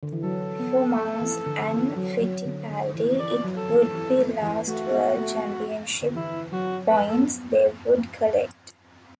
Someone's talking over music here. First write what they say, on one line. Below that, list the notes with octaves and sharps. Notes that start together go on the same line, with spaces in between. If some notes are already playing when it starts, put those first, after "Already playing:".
For Mass and Fittipaldi it would be last world championship points they would collect.
D3
E3
F#3 A4
B3
A3
E3
D3
E3
F#3
F#3
D3
D3
E3
E3 D5
F#3
A4
E3
E3
A3
E3
A3 F#4
B3
A3
D3
E3 E4
F#3 F#4
B4
A4
B3